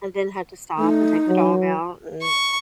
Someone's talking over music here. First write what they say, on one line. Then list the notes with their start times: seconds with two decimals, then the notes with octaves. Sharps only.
and then had to stop and take the dog out and
0.78 A3 D#4
1.28 F#3
2.23 C#6